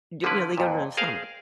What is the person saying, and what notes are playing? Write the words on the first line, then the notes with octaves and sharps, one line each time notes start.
D you know, they go during the summer.
D3 F3 C#4 E4 B4
F2 A#2
G#4 A#4 C5 F5 G#5